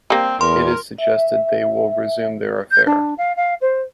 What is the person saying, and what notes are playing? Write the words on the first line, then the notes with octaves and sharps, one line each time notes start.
It is suggested they will resume their affair.
G3 A#3 C4
E2 A#4 C6
E5
G6
D4
F5
F5
C5